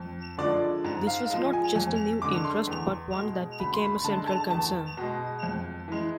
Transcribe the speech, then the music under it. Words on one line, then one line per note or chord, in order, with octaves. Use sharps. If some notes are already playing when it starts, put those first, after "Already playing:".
This was not just a new interest but one that became a central concern.
Already playing: F2
D3 F3 G#3 D5
G#2
F5
F3 G#3
G#5
F2 G#5
D3 G#3 D6
C6
E2
G#3
B2
D2 B5
C6
B5
D3 G#3 A5
A5
E2 A5
B2 G#3
F2
E3 G#3